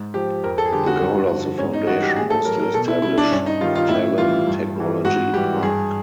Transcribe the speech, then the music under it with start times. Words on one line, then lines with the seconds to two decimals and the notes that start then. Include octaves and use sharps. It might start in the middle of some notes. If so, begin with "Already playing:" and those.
The goal of the foundation was to establish Tallinn Technology Park.
Already playing: G#2
0.14 F3 G4
0.43 F2 A#4
0.58 A4
0.65 G#4
0.72 D3 G3 G4
0.87 F#4
1.01 G2
1.30 D3 F3
1.58 G#2 C#4
1.73 D#4
1.87 E3 G3 F#4
2.02 G4
2.16 A2 G#4
2.30 A4
2.45 F#3 A#4
2.59 A#4
2.74 B2 A4
2.88 E4
3.02 G3 E4
3.18 D4
3.31 G2 C#4
3.46 D#4
3.61 D#3 G3 F4
3.75 F4
3.89 A2 E4
4.18 E3 G3 F4
4.47 G2
4.76 E3 G3
5.05 G#2 F#4
5.33 E3 G3 G4
5.62 G2 G#4